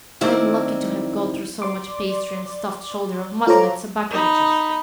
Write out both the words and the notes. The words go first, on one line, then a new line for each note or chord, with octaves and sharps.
"I am lucky to have got through so much pastry and stuffed shoulder of mutton at Sobakevitch's!"
D#3 C4 E4 D5
D5 C6 D6
F4 A4 C5 C#5 A#5 D6
D#4 B5